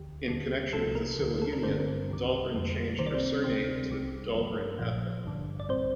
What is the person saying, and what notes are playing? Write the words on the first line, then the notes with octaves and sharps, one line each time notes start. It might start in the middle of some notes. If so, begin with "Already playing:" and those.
In connection with the civil union, Dahlgren changed her surname to Dahlgren-Attling.
Already playing: D2 D3 G4
D#2 D3 G3
C2 C3 F3 A3 A4
A#3 A#4
D2 D3 G3
A4
A#4
G1 G2 D3 G3 C4 C5
C2 C3 D#3 G3
F2 D3 G3
C2 C3 D#3 G3 C5
D5
C4 C5
D2 C3 G3 C4 C5
C2 C3 G3
G1 G2 F3
A#1 A#2 F3
A1 G2 D3 G3
D5
A#1 A2 G3 C4 C5